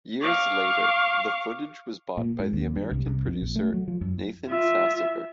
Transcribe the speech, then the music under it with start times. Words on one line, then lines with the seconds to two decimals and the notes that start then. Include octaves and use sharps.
Years later, the footage was bought by the American producer Nathan Sassover.
0.20 F5 C#6 D6
2.17 A#2
2.39 G#2
2.53 D#2
2.76 G2
2.91 C2
3.06 C2
3.26 F2
3.41 A#1
3.56 A3
3.74 F#3
3.88 F3
4.01 F#2
4.48 F4 E5